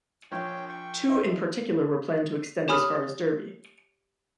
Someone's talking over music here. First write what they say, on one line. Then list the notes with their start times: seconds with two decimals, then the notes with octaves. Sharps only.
Two in particular were planned to extend as far as Derby.
0.32 A#1 C#5 G5
0.69 G5 C#6
1.09 D#4 E4 C5
2.68 G4 C#5 G#5 B5 D#6 F6